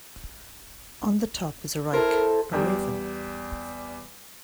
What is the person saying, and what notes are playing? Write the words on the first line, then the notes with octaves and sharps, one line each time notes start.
On the top is a "Rauk", a raven.
E4 A4 A#4 C5
E2 G3